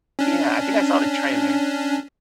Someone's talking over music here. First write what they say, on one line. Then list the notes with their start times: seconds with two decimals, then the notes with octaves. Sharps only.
Yeah, I think I saw the trailer.
0.19 C#4 D4